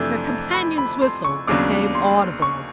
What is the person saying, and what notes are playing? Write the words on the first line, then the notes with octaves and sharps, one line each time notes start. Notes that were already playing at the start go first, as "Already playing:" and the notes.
Her companion's whistle became audible.
Already playing: F2 C3 E3 A3 D4
B5
B5
C6
C#6
D#2 C#3 F#3 B3 D4 D6
C6
C#6